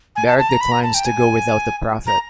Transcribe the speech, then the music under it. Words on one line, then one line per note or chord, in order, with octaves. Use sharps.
Barak declines to go without the prophet.
G#5
A5
A5
A#5
B5
A#5
A5
G5
G#5
A#5